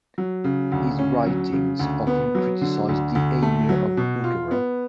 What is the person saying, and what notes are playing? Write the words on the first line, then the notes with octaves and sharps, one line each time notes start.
His writings often criticized the Amir of Bukhara.
F#3
C#3
D2
C#4
F#3
C#3
D2
B3
F#3
D3
D2
D2
A3
F#3
B2
F4
B3